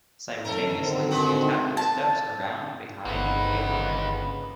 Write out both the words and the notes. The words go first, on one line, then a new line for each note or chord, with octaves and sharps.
Simultaneously the attacker steps around behind the opponent.
F#2 C#4 A4 A#4
D3 D#3 C4
G#3 B3 F#4
A5
G1 C#3 E3 A#3 D#4 B4 C5 F#5